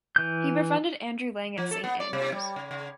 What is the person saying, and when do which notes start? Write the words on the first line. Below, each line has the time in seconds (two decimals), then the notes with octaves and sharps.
He befriended Andrew Lang at St Andrews.
0.16 E3 G6
1.58 F3
1.71 A4
1.84 B3
2.00 D5
2.13 C3
2.32 G3
2.56 C#3
2.71 C#3